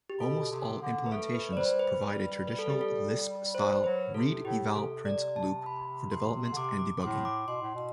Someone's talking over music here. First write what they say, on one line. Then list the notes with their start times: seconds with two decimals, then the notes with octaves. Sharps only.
Almost all implementations provide a traditional Lisp-style read-eval-print loop for development and debugging.
0.10 G4
0.20 B2 A4
0.51 C3
0.81 D3
1.06 B4
1.12 A3 A4
1.35 B4
1.53 D5
1.56 G3 C5
1.79 B4
2.03 G3 B4
2.47 B4
2.59 A4
2.70 G4
2.81 A4
3.54 C5
3.84 F#3 B4
4.14 C3 A4
4.45 A2 G4
4.75 C3 A4
5.05 D5
5.36 A5
5.66 B5
6.12 C6
6.45 C6
6.52 D3
6.57 C3 D6
6.79 D6
7.02 A2 C6
7.25 D6
7.47 B2 C6
7.62 A2
7.74 B2